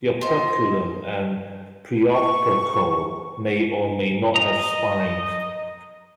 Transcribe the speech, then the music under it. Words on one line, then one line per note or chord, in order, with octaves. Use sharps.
The operculum and preopercle may or may not have spines.
F4 C5 D#5
C#6
D#5 A#5